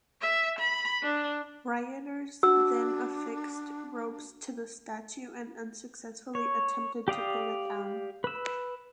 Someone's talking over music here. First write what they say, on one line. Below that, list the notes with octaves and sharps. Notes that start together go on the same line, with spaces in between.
Rioters then affixed ropes to the statue and unsuccessfully attempted to pull it down.
E5
B5
D4
D4 F#4 E6
C#5
G4 D5 F5 D#6
B4 E6